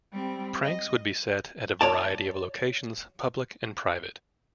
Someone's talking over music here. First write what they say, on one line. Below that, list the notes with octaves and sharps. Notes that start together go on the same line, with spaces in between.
Pranks would be set at a variety of locations, public and private.
G3 C4
D#5
C#5 D5 A5